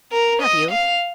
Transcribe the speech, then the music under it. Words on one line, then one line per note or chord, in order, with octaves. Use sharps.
"Have you?"
A#4
D#5
F5